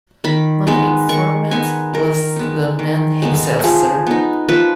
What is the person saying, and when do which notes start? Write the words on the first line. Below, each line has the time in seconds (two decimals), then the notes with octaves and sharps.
My informant was the man himself, sir.
0.24 D#3 B5
0.67 G#3 B3 D#4
1.09 D#3 C#6
1.51 G#3 B3 D#4 G#5
1.94 D#3 A#4
2.36 G#3 B3 D#4
2.79 D#3
3.22 G#3 B3 D#4
3.64 F3 G#4
4.07 B3 D#4
4.49 F3 B4